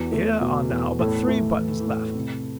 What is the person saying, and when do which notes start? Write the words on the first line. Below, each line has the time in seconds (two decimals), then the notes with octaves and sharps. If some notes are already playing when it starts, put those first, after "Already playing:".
Here are now but three buttons left.
Already playing: E2 F#4
0.12 A3
0.41 B2
0.70 E2
0.99 A2 A4
1.28 A3
1.57 E3
1.86 A2
2.15 C3